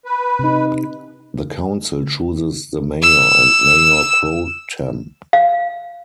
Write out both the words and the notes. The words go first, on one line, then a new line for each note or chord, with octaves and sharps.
The council chooses the mayor and mayor pro tem.
B4
C3 D#4
E6
F5